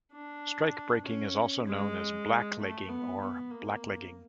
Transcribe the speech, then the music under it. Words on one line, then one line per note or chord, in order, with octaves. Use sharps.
Strikebreaking is also known as "black-legging" or "blacklegging".
D4
C#4
G#3
A3
B3
B3
A#3